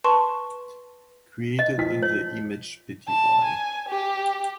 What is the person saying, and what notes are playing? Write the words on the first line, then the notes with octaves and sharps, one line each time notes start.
Created in the Image Pty.
B4 A5 C6 C#6
D#5
F3 B6
C#5
A5
G#5
G4